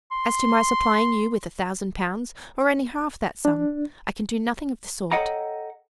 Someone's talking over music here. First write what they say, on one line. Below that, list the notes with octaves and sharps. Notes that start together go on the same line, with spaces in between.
As to my supplying you with a thousand pounds, or only half that sum, I can do nothing of the sort.
C6
D4
A4 C#5 D#5 F#5 G5 A#5